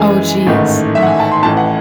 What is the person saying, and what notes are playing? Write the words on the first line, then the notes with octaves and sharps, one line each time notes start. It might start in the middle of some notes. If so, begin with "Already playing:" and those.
Oh, jeez. Oh,
Already playing: F#2 E3 G#3 G#5
A1 G#2 D#3 A3
E5
F#5
G#5
A5
C6
A1 A2 E3 A5
F#5